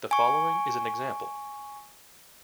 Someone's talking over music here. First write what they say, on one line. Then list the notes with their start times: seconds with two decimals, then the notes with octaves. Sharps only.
The following is an example.
0.11 G#5 C#6